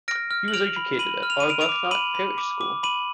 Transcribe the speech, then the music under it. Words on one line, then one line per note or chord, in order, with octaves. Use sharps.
He was educated at Arbuthnott Parish School.
F6 A#6 D7
F6
F#7
F6 D7 F7
B5
B5 D#7 F#7
F6
F7
D#7
B5 D7 F7
D7 F7
D6
B5 D#7 F#7
B5
D6
D6
B5 D#7 F#7